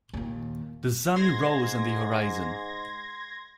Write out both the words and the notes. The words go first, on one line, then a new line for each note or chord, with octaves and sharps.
The sun rose on the horizon.
D#2 A#2
G#2 C6 G#6 A#6